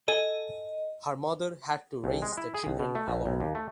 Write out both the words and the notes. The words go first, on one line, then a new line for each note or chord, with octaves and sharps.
Her mother had to raise the children alone.
A4 D#5 G#5
C2
G#3
E4
G#4
C2
B2
A3
A#1
B1
D#2
A3